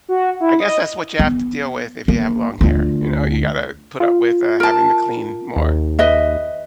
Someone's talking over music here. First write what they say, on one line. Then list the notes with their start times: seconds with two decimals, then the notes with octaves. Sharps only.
I guess that's what you have to deal with if you have long hair, you know, you gotta put up with, uh, having to clean more.
0.09 F#4
0.40 E4
0.60 D#5
1.19 B3
2.08 A#3
2.61 D2 F4
4.00 F4
4.60 A#4 A5
5.56 D#2
5.99 B4 D#5 E5